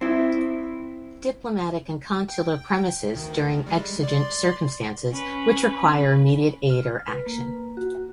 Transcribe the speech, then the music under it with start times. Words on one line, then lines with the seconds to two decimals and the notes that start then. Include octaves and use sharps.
Diplomatic and Consular premises during exigent circumstances, which require immediate aid or action.
0.01 C4 E4
2.28 G5
3.13 D2 D#3
3.67 G3 G#3
4.03 D5 C6
5.11 C#4 B4
6.70 F6
7.08 B4
7.26 A#3
7.77 F#4